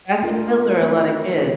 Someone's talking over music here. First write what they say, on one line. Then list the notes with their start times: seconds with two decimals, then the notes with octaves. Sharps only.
That's those are a lotta kids.
0.23 A3 D4 F4 A#4
0.82 A3 C4 F4 A#4
1.41 D#3